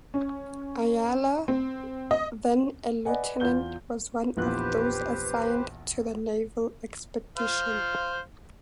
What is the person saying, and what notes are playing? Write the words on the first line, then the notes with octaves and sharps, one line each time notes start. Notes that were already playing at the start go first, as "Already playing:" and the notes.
Ayala, then a Lieutenant was one of those assigned to the naval expedition.
C#4
C4
D#5
B4 D5 D#5 F#5 G#5
E2 F4 G6 G7
A#1 E2 G4 B4 C5 F#6
C5 F5